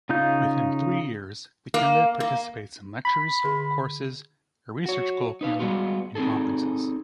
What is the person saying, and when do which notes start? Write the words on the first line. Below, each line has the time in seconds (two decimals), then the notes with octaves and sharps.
Within three years, the candidate participates in lectures, courses, a research colloquium and conferences.
0.09 C#3 D#4 F4 G6
1.74 A#3
2.20 A#3
3.05 B5
3.44 D3 G#4 C6
4.86 F#4 C#5
5.41 D#4 B4 F5
5.59 G3 G#3 B3 F4 F#4
6.15 C4 D#4 G#4 A4